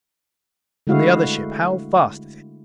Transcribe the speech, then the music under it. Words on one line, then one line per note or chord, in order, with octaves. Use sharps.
"And the other ship--how fast is it?"
D3 G#3 A3 E4 F#4 F5